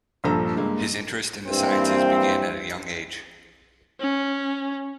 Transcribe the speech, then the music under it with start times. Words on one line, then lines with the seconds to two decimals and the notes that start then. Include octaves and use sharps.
His interest in the sciences began at a young age.
0.24 A#1 G2 F3 A4 A#5
0.56 G2 G#3 A#3
1.47 G2 E3 A#3 C4
4.00 C#4